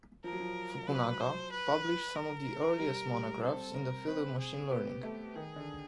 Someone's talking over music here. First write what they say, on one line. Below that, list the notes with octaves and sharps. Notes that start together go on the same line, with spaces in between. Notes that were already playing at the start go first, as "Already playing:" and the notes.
Fukunaga published some of the earliest monographs in the field of machine learning.
F3 A#4
F#3
F3
F#3 B4
C5
B4
A#4
G3
G3
C4 A4
A#4
C4 B4
G#4
B3 G4
A3
D#3 G#4
D3